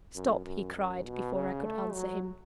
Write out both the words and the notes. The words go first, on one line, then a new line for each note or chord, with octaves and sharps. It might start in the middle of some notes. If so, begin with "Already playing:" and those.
"Stop!" he cried, before I could answer him.
F#2
F#2
F#2
B2
C#3
A3
F#3